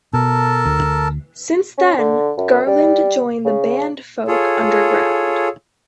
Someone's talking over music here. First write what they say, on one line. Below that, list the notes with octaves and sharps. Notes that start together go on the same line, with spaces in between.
Since then, Garland joined the band Folk UnderGround.
B2 A4 A#4 A5
D2
C#4
D3
F#2
G3
C#3
F4 G#4 A4 C#5